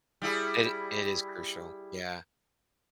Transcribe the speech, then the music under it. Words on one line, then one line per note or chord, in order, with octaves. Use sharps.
It i it is crucial. Yeah.
G3 E4 G#4